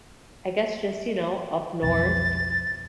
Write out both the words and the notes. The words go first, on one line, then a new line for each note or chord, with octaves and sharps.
I guess just, you know, up north
B1 F2 A6